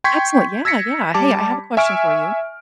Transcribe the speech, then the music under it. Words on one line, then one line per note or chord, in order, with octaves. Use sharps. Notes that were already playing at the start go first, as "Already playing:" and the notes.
Excellent. Yeah, yeah. Hey. I have a question for you.
G5 C6 C#6 G6 G#6 B6
E6 G#6 A#6 B6 C#7
G3 A5 D6
E5 G#5 C#6 F6 D7